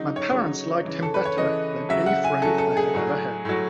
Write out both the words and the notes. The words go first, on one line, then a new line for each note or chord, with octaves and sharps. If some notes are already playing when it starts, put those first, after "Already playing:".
My parents liked him better than any friend I had ever had.
Already playing: C#3 F#3 D#4
C#5
C#3 F#3
C#3 E3
A4
B4
C#5
C#3 E3 D#5
C#3 F#3 E5
F#5
G#5
C#3 F#3 A4
A4
G#4
A2 F#3
A2 F#3